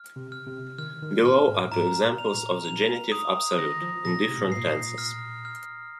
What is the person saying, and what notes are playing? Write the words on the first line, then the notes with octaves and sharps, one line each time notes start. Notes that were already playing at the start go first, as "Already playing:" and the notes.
Below are two examples of the genitive absolute, in different tenses.
Already playing: F6
C3
F6
C3
D#3 F6
D#3
A#2 F6
G#2
G#2 A#5
A#2
F7
A#2
F7
D#6
D#3 A#6
F3
A#2 A#6
C3
A#2
G#2
A#2 C7
F6
F6